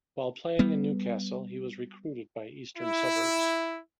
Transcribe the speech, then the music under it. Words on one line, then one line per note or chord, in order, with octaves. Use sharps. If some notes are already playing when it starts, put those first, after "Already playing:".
While playing in Newcastle he was recruited by Eastern Suburbs.
G3 B3
E4